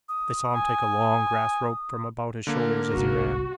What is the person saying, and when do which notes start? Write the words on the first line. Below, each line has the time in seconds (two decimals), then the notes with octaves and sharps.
They saw him take a long grass rope from about his shoulders as he ran.
0.09 D#6
0.55 G#5
2.47 D3 A#3 A#4
2.94 G1 C2 F#4